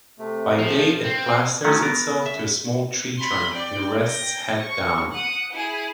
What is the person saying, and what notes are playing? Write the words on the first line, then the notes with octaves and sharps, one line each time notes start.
By day it plasters itself to a small tree trunk and rests head down.
C3 A3
F3
C4 C5 F5
D#3 F3 F#3 A3 C#4
B3 A#4
E5
B5 C6
D5 G5
G5 A#6
C#6
F#5 D#6
E4 G#4